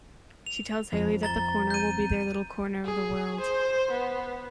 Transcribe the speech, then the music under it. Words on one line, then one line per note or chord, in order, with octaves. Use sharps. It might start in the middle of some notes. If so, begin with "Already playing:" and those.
She tells Haley that the corner will be their little corner of the world.
F7
F2
A#5 A6 G7
G6 D#7
G#4
C5
B3